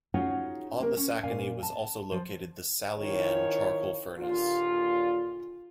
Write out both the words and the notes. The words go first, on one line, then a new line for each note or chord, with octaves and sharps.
On the Sacony was also located the "Sally Ann" charcoal furnace.
C#4 D#4 F4 F#4 G#4 C#5
A#3 A#4
C#4
A#2 D5 F5 G#5
A5
F3
D#3 F3 C#4 E4 C#5
D#2 A#2 D3 F4